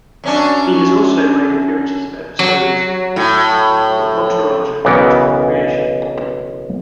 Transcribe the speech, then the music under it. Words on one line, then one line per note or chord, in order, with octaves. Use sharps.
He has also made appearances of episodes of "Entourage" and "Parks and Recreation".
F#2 C#4 D4
F#3
A2
B1 C#3 E3 B3 A#4 F#5